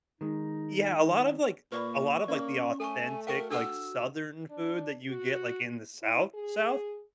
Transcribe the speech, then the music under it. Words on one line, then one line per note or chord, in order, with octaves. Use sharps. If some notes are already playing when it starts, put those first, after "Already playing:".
yeah, a lot of, like a lot of, like, the authentic, like, southern food that you get, like, in the South, South.
D#3 G#3 D#4
A#2 A#3 B4 D5 B5 C#6
A#3 C#4 D5
A3 A4 G#5 C#6
F#4 A#4 F5 G5 C#6
D4 A4 F#5 E6
D4
F#4
E4
G#4